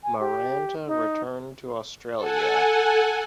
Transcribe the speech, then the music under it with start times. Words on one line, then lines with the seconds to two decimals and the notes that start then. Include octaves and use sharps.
Maranta returned to Australia.
0.04 G#5
0.20 G4
0.87 D#4
2.18 A4 F#5 G#5